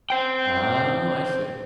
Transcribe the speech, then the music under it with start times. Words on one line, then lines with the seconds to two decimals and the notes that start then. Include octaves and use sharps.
Oh, I see.
0.10 C5 G5